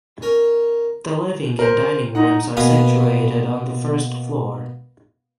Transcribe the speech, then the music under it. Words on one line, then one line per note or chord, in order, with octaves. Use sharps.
The living and dining rooms are situated on the first floor.
C#4 A#4
A#4 C5
D#4 F#5
B2 A#3 B3 B4 F5 G#5